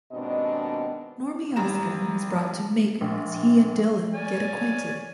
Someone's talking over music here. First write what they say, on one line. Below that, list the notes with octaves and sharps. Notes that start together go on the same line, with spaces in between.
Normie Osborn was brought to Maker as he and Dylan get acquainted.
D#2 G#2 B2 C4 D4 D#5
G#1 G3 A#5 E7
A#1
C#5 D5 G#5